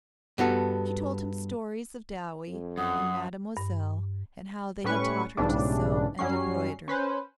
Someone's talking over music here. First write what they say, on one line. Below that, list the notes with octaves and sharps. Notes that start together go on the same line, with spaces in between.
She told him stories of Dowie and Mademoiselle and how they had taught her to sew and embroider.
G2 B3 F#4 A4
F2
F#2 F#5 D#6
G2
A2 G3 C#4 B4 C#6
B1 G#2 C#3 E3 G3 D4
F#2 F#3 G3 C#4 C7
C#4 B4 C5